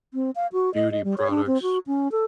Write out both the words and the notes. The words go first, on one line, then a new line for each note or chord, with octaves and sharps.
beauty products,
C4
F5
F#4
D#5
D#5
G3
C#5
D4
C4
F#4
C#4
A4